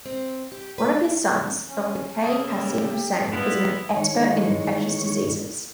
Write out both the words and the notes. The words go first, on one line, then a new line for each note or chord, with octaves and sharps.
One of his sons, Doctor K. Khasim Hussain was an expert in infectious diseases.
C4
G4
B4
C#4
C#3 A#3 A4 D#6
G4
B3 E4 F4 D5 F#5
D#3 C#5
E3 G#3 D#4